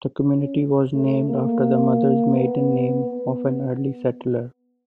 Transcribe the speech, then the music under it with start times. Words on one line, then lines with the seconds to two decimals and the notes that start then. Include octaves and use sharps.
The community was named after the mother's maiden name of an early settler.
0.24 C#4
0.93 A3
1.28 A#3
2.34 B3
3.04 B3